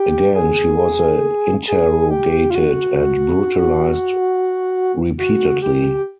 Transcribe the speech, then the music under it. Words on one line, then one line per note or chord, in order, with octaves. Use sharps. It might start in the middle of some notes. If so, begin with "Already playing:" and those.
Again she was interrogated and brutalized repeatedly.
Already playing: G4
G#4
G#4
G4
F4
F#4
F#4
G4